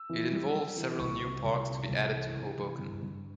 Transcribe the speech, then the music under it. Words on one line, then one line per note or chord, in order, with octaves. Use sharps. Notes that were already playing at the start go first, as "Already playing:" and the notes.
It involves several new parks to be added to Hoboken.
Already playing: E6
E3
G3
G3
E3
C2 C#6
C3
C2
C3
C2
E3
C3
E3
G2
G2